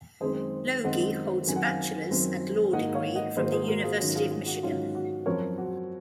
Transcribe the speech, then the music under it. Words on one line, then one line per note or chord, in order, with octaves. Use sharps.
Logie holds a bachelors' and law degree from the University of Michigan.
F#2 D#3 G#3 C4 G#4 C5
F#2 D#3 G#3 C4 D#5 F#5
F#2 D#3 F#3 C4 G#5
F#5
F5 G#5
F#2 D#3 F#3 C4
G#2 D#3 A#3 D#5 F#5
C#5 F5
D#5 F#5
G#2 D#3 A#3 G#4 C5
G#4 C5
G#4
F#4 A#4
F4 G#4
G#2 D#3 F#3 C#4
F4 G#4
F4
F#4
G#2 D#3 F#3 C#4 F4
F#4
F#2 F3 C4 A#4 C#5
F#4